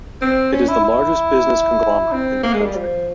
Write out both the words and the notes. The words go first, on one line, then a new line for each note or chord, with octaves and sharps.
It is the largest business conglomerate in the country.
C4
C#4
E4
E4
C4
A#3
G#3
G3
F3